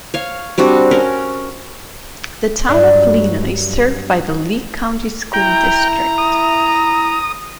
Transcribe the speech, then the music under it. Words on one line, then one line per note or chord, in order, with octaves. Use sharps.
The Town of Lena is served by the Leake County School District.
C#5 F5
G3 C4 D4 F#4
C#4 A#4
G2 F#3 D4
E4 G5 A#5
D#6